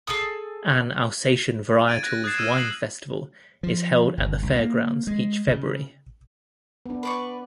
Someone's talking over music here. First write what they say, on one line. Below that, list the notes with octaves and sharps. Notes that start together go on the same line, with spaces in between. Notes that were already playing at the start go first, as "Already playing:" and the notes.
An Alsatian Varietals wine festival is held at the fairgrounds each February.
G#4 A4 G#5 D#6
G#6 A6 D7 D#7
F#6 A#6
D#6 F#6 G#6 A6 C7 E7
E6 F6 D#7
C7 F#7
F3
G1
C2
A#3
G#3
C#3
B3 D4
B4 D5 C#6